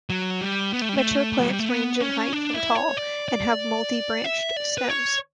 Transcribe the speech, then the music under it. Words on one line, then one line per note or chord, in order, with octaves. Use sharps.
Mature plants range in height from tall and have multi-branched stems.
F#3
G3
B3
A3
G3
A3
F#3
G3
A3
B3
C#4
D4
E4
C#5
D5
D5
E5
D5
B4
C#5